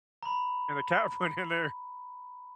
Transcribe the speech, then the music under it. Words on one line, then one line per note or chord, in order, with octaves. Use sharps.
and the cat went in there
A#5 B5